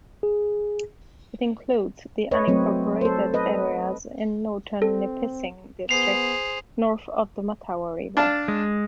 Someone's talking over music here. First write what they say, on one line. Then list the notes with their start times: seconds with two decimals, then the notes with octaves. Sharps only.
It includes the unincorporated areas in northern Nipissing District north of the Mattawa River.
0.23 G#4
2.31 B4 C#5 D#5
2.48 F#3 A3 C4
3.01 A4 C5
3.34 B4 D#5
4.82 C4 A4
5.89 B3 G#4 C5 C7 F7
8.17 D4 F5 A5
8.48 G#3